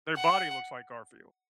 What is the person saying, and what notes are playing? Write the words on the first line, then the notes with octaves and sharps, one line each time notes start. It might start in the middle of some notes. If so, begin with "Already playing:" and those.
their body looks like Garfield.
F#5